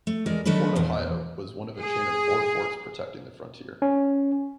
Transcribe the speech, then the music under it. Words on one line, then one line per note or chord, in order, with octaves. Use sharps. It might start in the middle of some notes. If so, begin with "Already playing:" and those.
Fort Ohio was one of a chain of four forts protecting the frontier.
A3
E2 G#3 A#4 D5
D#3 F#3 A3 B3 D4 B4
E2 A#2
G#4
C#4